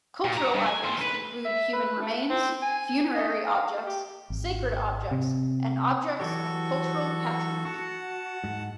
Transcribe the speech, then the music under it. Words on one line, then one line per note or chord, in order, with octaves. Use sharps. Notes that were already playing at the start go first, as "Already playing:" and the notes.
Cultural items include human remains, funerary objects, sacred objects, and objects of cultural patrimony.
A#2
F#4 A#5
G2
G#5
D#3 C5
B4
E5
B4
A3
C4
G#5
D#5
F5
G4
G#1
C3
E3 F#3 F#4 G4 A4 C#6
F#4 F#5 A5
G#2